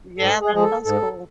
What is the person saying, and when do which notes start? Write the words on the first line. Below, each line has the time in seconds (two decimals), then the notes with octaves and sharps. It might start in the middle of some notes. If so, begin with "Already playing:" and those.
Yeah, that sounds cool.
0.18 G#2 A4
0.41 G#4
0.52 F3 G#3 G#4
0.63 A4
0.85 G#2 A4